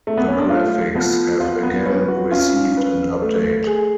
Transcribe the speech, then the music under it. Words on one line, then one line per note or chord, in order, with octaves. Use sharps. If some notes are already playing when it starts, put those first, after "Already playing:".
The graphics have again received an update.
A3
B3
C#4
D4
A3 F4
F3 B3
B3 F4
B3
C#4 B4
F#4
C#4 F4
B4
A3
G#4